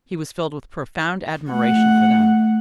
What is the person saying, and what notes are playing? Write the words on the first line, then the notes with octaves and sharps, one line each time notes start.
He was filled with profound admiration for them.
A3 F#5